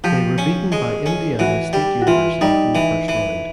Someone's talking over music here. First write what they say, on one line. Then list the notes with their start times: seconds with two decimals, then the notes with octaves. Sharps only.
They were beaten by Indiana State University in the first round.
0.04 F3 G4
0.38 C#4
0.72 G#3
1.06 C#4
1.39 E3 F#4
1.73 G3
2.02 F#4
2.07 E3 F4
2.41 G3 D#4
2.75 E3
3.08 E3